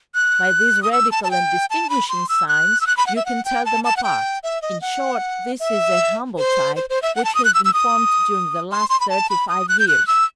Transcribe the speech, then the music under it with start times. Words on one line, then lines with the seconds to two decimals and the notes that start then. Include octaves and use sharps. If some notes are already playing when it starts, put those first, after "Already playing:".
By these radical and distinguishing signs you can tell them apart; in short, this is a humble type which has been formed during the last thirty-five years.
0.15 F#6
0.83 D#6
0.92 E6
1.11 A5
1.24 A5
1.31 G5
1.70 A5
1.90 B5
2.09 C6
2.29 E6
2.48 F#6
2.81 E6
2.87 F#6
2.97 B5
3.07 F#5
3.16 E5
3.26 F#5
3.45 G5
3.65 A5
3.84 A5
3.97 F#5
4.04 G5
4.43 E5
4.62 D#5
4.82 F#5
5.60 E5
6.38 C5
6.76 C5
6.90 C5
7.02 E5
7.16 F#5
7.25 A5
7.35 D#6
7.45 F#6
7.54 E6
7.65 E6
7.74 D#6
8.72 C6
8.90 C6
9.00 B5
9.09 A5
9.30 B5
9.49 D#6
9.69 F#6
9.79 G6
9.88 F#6
10.07 E6